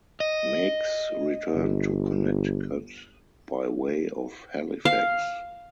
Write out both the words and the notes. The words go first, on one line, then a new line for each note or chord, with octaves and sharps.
Meigs returned to Connecticut by way of Halifax.
D#5
G1
F5